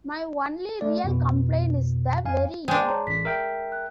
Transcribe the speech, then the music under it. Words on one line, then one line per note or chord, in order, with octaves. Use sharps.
My only real complaint is the very end.
A3 D5
F2 B2
F2 F5 G#5
G#3 D4 C5 G5 G#5 G6
C#5 A5 A#5
A1 B6
A#4 E5 G5
F#6